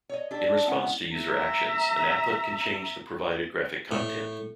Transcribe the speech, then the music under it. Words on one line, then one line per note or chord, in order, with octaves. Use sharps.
In response to user actions, an applet can change the provided graphic content.
C#5 D#5
D4 G4 A4
G#3 B3 C#4 E4 D#5 F#5
E5 A#5
A2